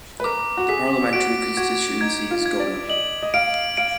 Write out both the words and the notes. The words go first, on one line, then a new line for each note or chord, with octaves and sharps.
The parliamentary constituency is Godda.
B4
A#4 D6
F#4
G#4 B6
F#4 D7
F#4 G#6
D#4 G#6
F4
G#6
D5
D#5 F#7
D#5
F5 D7
F5 D7